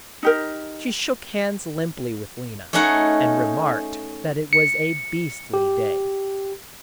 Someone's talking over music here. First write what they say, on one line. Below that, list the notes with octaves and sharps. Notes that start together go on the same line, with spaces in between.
She shook hands limply with Lena, and remarked that it was a beastly day.
D#4 G4 A#4
A3 C#4 D#4 G#4 F#5
C#7
G4